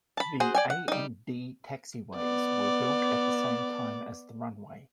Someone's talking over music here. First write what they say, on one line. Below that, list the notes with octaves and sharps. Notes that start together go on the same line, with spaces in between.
The A and D taxiways were built at the same time as the runway.
A5 B5
F#4 G#4 C5
D5 G5 G#5
F#5
G3 D#4
B3 D5